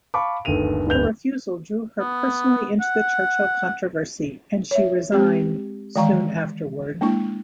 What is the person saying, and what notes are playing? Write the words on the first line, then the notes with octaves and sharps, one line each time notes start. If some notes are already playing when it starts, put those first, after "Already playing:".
Her refusal drew her personally into the Churchill controversy, and she resigned soon afterward.
F5 A5 B5 C#6 D6
G1 D#2 A3 D#7 F7
D1 G1 B4 G6 F7
B3
F#5
C#5 E5
G#3 C4 G4
D#3 E3 G#3 F5 A#5 C#6
G#3 A#3 D4 E4 C#6